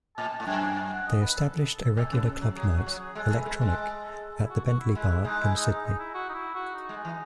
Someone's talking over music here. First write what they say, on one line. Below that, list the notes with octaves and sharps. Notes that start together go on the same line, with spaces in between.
They established a regular club night, "Electronic", at the Bentley Bar in Sydney.
A2 A5
G#2
F#2 G#5
F#5
D#5
B4
A4
A2
C#3
F#3
F#3 G#4
F#4
F#3
G#4
G#3 A4
A3
B4
G#3
A4
G#3
A4
E4
F#4
F#4
E4
G#3 E4
E4
G#3 D#4
E4
D#4
D#4
D#4
E4
F#4
D#4
E4
F#4
D#4
G#3
E3